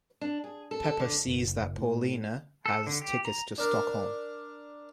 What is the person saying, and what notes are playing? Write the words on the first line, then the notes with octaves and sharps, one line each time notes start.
Pepa sees that Paulina has tickets to Stockholm.
D4
G#4
A4
A4
D3
F#1
A2
A4
D3
G4
A#5
D4 A#4